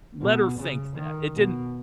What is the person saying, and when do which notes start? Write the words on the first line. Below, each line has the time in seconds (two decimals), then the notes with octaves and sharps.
let her think that, it didn't
0.21 B2
0.58 C#3
0.96 D#3
1.34 B2